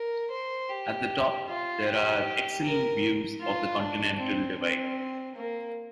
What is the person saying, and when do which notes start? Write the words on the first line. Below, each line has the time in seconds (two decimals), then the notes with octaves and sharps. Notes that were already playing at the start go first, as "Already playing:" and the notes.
At the top, there are excellent views of the Continental Divide.
Already playing: A#4
0.31 C5
0.69 G4
1.48 F4
1.86 G4
2.64 A#4
3.41 F4
3.79 D4
4.19 C4
4.58 C4
5.35 A#3